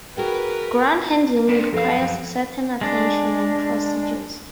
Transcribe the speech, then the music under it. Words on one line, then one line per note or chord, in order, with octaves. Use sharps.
Ground handling requires certain attention and procedures.
F#4 G#4 A#4 B4 G5
C4 D4 B4
F#2 F3 A4 B4 F5
F3
G#3 D4